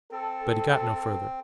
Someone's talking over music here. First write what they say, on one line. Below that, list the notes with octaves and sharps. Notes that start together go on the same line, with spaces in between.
But he got no further.
C4 A4